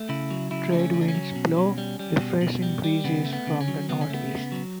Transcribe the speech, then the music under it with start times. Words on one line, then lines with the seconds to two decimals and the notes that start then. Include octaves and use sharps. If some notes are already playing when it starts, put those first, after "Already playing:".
Trade winds blow refreshing breezes from the northeast.
Already playing: A3
0.09 C#3 E4
0.31 F#3
0.51 C#3 E4
0.72 A3 D4
0.79 C#4
0.94 C#3
1.01 D4
1.08 C#4
1.15 F#3
1.36 B2
1.57 B2
1.78 G3
1.99 G3
2.20 B2
2.41 B2
2.62 G3
2.84 G3
3.04 C#3 B3
3.26 A3
3.33 B3
3.47 C#3
3.61 C#4
3.68 F#3
3.89 C#3 B3
4.01 C#4
4.10 A3 B3
4.31 C#3
4.52 F#3